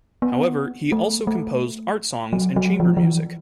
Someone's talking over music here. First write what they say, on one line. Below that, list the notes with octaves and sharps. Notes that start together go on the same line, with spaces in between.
However, he also composed art songs and chamber music.
B3
A3
A3
F#3
F#3
F3
F3
E3